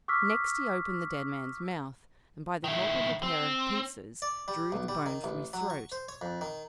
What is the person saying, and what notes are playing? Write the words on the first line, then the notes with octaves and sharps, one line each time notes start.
Next he opened the dead man's mouth, and by the help of a pair of pincers drew the bone from his throat.
C#6 D6 E6 F6 B6
D#3 E4
C4
D5
G3
B1
G3
D#3
A1
F#3
C#6
C5
C#5
F2
D#3